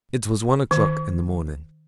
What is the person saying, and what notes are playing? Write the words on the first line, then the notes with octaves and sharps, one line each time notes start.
It was one o'clock in the morning.
D#3